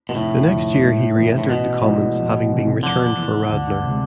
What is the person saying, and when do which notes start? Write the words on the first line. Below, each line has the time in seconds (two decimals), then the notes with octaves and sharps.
The next year he re-entered the Commons, having been returned for Radnor.
0.09 B2
0.15 F1 A2
0.48 F2 D3 F3
0.82 G#2
1.15 E3 B3
1.38 A2
1.49 A1 B2
1.83 A2 F3 G#3 D4
2.16 F2
2.50 C3 E3 A3 C4
2.83 F2 D3
3.17 E3 B3
3.51 D2
3.84 C3 G#3